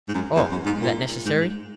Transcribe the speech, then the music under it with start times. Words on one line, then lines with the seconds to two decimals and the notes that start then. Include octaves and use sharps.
"Oh, is that necessary?"
0.09 G#2
0.14 F#2
0.36 E2
0.51 F#2
0.66 G#2
0.81 A#2
1.25 G#2
1.41 G#2